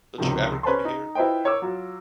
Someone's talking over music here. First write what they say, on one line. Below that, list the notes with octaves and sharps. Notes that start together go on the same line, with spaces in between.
Don't you ever come here?
C#2 C3 D#3 F3
C#4 B4 C5 A5 C6
D#4
E4 F4 B4 C5 D#5 G5
A#4 C#5 C#6 D6 E6
F#3 F4